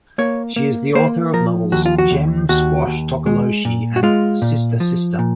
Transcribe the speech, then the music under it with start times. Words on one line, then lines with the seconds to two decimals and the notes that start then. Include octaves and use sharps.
She is the author of the novels "Gem Squash Tokoloshe" and "Sister-Sister".
0.18 A#3 C#5
0.56 A#3
0.95 A#3 C5
1.33 F3 A#4
1.72 D#2 F#4
1.86 F4
1.98 F#4
2.11 D#2
2.49 D#2 F#4
2.87 D#2
3.26 G#3
3.65 A#2
3.96 F#4
4.03 G#3 F4
4.42 A#2
4.80 F3
5.19 A#2